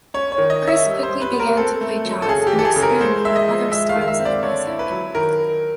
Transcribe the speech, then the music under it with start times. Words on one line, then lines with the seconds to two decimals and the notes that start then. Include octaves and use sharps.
Chris quickly began to play jazz and experiment with other styles of music.
0.14 C#4 C#5
0.32 C#5
0.38 D#3
0.50 D#5
0.62 C#4
0.67 E5
0.86 G3
1.03 C5
1.09 G3
1.21 B4
1.33 B3
1.39 A#4
1.57 C4 A4
1.81 A3
2.05 F#3
2.22 A4
2.28 C#3 G#4
2.47 G4
2.52 E3
2.59 A4
2.65 G#4
2.76 C#3
2.82 A#4
3.00 G#3 C5
3.25 G#3 E5
3.36 D#5
3.48 F3
3.72 G#3 E5
3.89 F5
3.96 D#3
4.01 F5
4.08 E5
4.19 C4
4.25 D5
4.43 D3 C#5
4.67 E4
4.79 B4
4.91 F#3
5.15 D#3 A#4